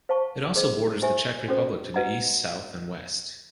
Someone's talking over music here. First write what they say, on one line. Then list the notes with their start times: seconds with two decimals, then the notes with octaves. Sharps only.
It also borders the Czech Republic to the east, south and west.
0.09 C5 F5 A5 C#6
0.56 G#4 C5 D#5
1.02 E4 G4 C5 E5 G#5
1.48 C#4 F#4 A4 C5
1.94 F#4 B4 D#5 F#5 A#5